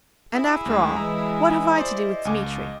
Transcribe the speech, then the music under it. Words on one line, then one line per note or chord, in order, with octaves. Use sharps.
And after all, what have I to do with Dmitri?
E4 G#4
D2 G#3
E3 G#3 A#5
C5 D5 D#5
C#2 G#5 D6